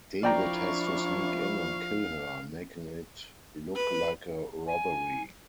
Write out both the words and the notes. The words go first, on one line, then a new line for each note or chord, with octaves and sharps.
David has to sneak in and kill her, making it look like a robbery.
F3 D4 E4 D5 F5 G5 A#5 C#6
B4
G#5